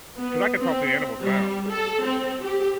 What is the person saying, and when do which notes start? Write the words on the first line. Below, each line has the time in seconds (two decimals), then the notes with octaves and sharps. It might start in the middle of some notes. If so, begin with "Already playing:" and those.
cause I could talk to the animals now,
0.18 B3
0.61 C4
1.21 G3
1.69 A4
2.05 C4
2.43 G4